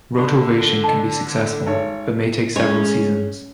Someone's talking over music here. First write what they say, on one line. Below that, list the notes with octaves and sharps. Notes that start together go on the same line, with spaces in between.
Rotovation can be successful, but may take several seasons.
D3 F#4 B5
D#5 A5
G#1 C#5
G#3 C#4 G#4 C#5